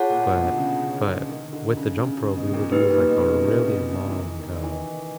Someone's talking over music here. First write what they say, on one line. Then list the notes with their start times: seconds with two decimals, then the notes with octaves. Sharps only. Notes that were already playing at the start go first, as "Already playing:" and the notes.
but but with the jump rope, we would use, like, a really long, uh
Already playing: F4 G#4 C#5 F#5 A5
0.09 A#2
0.33 B2
0.45 D3
0.57 C#3
0.81 C#3
1.05 D3
1.29 D#3
1.53 D3
1.77 C#3
2.01 C#3
2.18 C#3
2.36 B2
2.47 B2
2.53 A#2
2.72 A#3 D#4 G4 B4
2.90 A#2
3.08 B2
3.26 C#3
3.43 C3
3.68 B2
3.91 B2
4.08 E3
4.15 D#3
4.39 D#3
4.63 E3